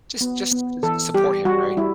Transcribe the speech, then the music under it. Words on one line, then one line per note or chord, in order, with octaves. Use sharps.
Just just just support him, right?
B3
B3
E3 A4
G3 G4
G3 F#4
G3 E4